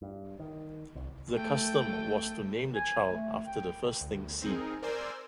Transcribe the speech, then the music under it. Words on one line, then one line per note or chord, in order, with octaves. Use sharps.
The custom was to name the child after the first thing seen.
G2
D#3
C2
A3 G5
G#5
A3
G5
D2
C4 D#4 G#4 A#4
A#4 C5 D5 G#5 C6 E6